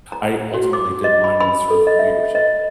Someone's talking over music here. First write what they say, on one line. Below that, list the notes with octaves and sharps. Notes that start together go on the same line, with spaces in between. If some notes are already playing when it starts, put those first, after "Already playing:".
I ultimately did mine on servant leadership,
A#5
F#4
D6
D#5
B5
B5
A4
D#5
E5
D#5